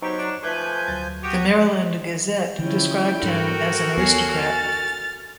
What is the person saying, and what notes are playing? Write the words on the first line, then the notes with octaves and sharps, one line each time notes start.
The "Maryland Gazette" described him as an aristocrat.
F#3 B3 C4 D#4 G4 C5 A#5 C#6
D4
F3 A3 B4 G#5 D6 G6
D2 F#3 A6
F#4 G4 C#6 D#6
D3 E3 F3 C#4 E4 G5
G#2 G3 D4 F#4 A4 A#4
D#2 E3 B3 C#5 G#5 C7
F6 A6